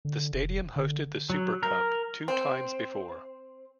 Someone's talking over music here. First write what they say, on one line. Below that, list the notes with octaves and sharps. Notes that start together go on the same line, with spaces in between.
The stadium hosted the super cup two times before.
D3
F1
D3
F#3
A#4
C4